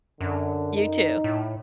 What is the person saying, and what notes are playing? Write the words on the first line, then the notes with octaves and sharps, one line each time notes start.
You too.
F#2 D3
D#4
A2